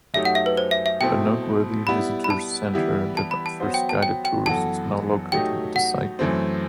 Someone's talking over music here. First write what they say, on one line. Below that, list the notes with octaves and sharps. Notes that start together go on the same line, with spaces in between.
A noteworthy visitors' centre that offers guided tours is now located at the site.
F#2 F#3 A3 D#4 G4 E5
F#5
E5
B4
C5
E5
E5
B2 A3 C4 E4 G5
G3 B3 E4 B5
B5
A5
E3 G3 B3 E4 G4
A5
B5
A5
F#3 B3 F#4 C5
G5
A5
G5
G5
F#2 E3 B3 F#4 A4 A5
F#3 A3 D#4 G4 G5
F#5
F#2 E3 A3 C4